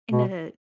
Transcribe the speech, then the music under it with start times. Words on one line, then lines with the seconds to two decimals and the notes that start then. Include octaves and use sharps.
in a
0.12 B2